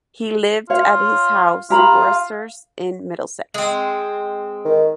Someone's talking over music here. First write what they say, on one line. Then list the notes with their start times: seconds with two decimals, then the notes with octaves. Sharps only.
He lived at his house "Foresters" in Middlesex.
0.70 F4 C#5 F5
1.70 F4 G4 A#5 B5
2.03 F5
3.54 G#3 C4
4.65 D#3